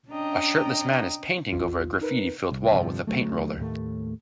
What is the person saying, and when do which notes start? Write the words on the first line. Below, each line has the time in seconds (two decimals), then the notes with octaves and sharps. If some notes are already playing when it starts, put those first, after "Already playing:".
A shirtless man is painting over a graffiti filled wall with a paint roller.
0.10 C#4 D4 D#5 G5 A#5
1.51 A#1 E2 F4
2.01 D#4 A#4 B4
2.51 C2
2.71 G1 G2 C3 F3
3.07 D2 F#3 A3
3.57 D#2 A2 A3